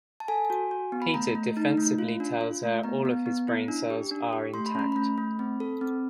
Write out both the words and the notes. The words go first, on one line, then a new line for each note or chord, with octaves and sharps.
Peter defensively tells her all of his brain cells are intact.
A5
A4 G#5
F#4
F#4
B3
B5
A3 A#5
A3
D#4
A3
F4
D4
F4
A3
B3 A#5
B3
B3
E4
D4
G4
D4
G4
A3 C6
B5
C#4 A#5
A3 B5
A3
C4
A4
C4